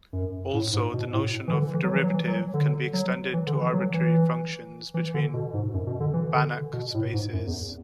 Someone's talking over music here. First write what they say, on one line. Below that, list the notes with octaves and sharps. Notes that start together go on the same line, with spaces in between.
Also, the notion of derivative can be extended to arbitrary functions between Banach spaces.
F#2
A2
G#2
B2
A2
E3
D3
E3
F#3
E3
F#3
E3
F#3
D3
F#3
E3
D3
E3
F#3
E3
E3
D3
B2
G#2
F#2
B2
D3
E3
D3
B2
A2
G#2
F#2
E2